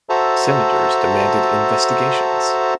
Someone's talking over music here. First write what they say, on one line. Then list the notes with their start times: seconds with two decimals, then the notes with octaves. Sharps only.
Senators demanded investigations.
0.09 F#4 A4 C5 E5 A5 A#5